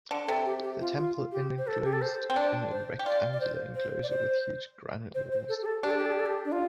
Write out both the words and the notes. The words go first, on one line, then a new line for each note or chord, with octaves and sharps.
The temple in enclosed in a rectangular enclosure with huge granite walls.
D3
C3 A4
G4
G4
F4
F4
G4
C5
A4
G4
A4
C5
C4
D4 D5
C5
G4
F4 D5
D5
C5
C5
D5
C5
C5
C5
A4
G4
A4
D4 G4
A4
G4
A4
G4
A4
G4
D4
F4